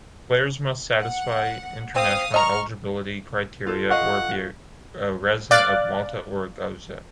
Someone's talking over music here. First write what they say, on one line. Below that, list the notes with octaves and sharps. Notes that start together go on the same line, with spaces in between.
Players must satisfy international eligibility criteria or be a resident of Malta or Gozo.
F#5
C4 F5 D#6
D#5 A#5 C#6 F6
F4 A4
D#5 F5 F#5 C#6
D5 F5 D6 F#6 A6